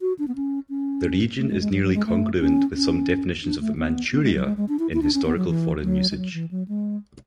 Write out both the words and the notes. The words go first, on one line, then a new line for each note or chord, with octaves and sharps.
The region is nearly congruent with some definitions of "Manchuria" in historical foreign usage.
F#4
D4
B3
C#4
C#4
A3
G#3
G#3
F#3
F#3
G#3
A3
C#4
C#4
D4
A3
B3
B3
G#3
F#3
G#3
G#3
D4
E4
E4
D4
C#4
B3
F#3
E3
F#3
G#3
F#3
E3
F#3
G#3